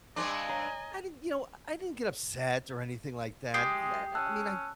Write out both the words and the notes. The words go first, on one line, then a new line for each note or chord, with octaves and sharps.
I didn't, you know, I didn't get upset or anything like that. Yeah, eh, I mean, I
G2 C4 D4 D#5 G#5 C6 D6
C#5 A#5
G#3 G4 D#6 C7
C#4 A5 E6 F#6